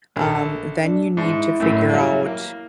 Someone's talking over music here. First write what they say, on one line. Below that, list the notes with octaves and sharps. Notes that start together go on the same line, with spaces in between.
um, then you need to figure out
A#1 A4
D4
G#2 E4
A1 F#2 A2
F#3 G3 A#3
A#3